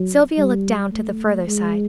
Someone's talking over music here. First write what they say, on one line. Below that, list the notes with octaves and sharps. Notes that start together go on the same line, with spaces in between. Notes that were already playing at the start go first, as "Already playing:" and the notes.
Sylvia looked down to the further side.
Already playing: F#3
G3
A3
G#3